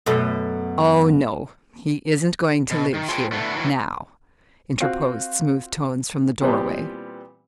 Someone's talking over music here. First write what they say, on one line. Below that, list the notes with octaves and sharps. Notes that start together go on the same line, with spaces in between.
"Oh, no, he isn't going to live here--now," interposed smooth tones from the doorway.
F#2 B2 A3
B2
D#3
F4 G#4 A4 B4 G5
A2 D3 A3 B3
D#3 E3 F#3
C4 F4 F#4
A#2 E3 G3 B3 C4 G4